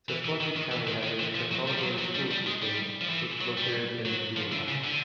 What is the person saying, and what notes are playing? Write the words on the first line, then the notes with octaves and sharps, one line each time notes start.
Sequatchie County has a consolidated school system which is located in Dunlap.
E3
E3
D#3
D#3
E3
D#3
D#3
E3
F3
F#3
G3
F3
F#3
F#3
G3
G3
G#3
G3
F3
E3
F#3
G3
F#3
F3
D3
C#3
D3